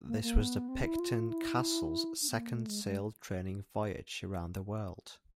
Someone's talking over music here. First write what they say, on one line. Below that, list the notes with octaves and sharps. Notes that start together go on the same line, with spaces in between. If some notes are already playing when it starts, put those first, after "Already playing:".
This was the "Picton Castle's" second sail-training voyage around the World.
A#3
A#3
B3
C4
E4
F4
E4
D4
B3
A#3
A3
G#3
G#3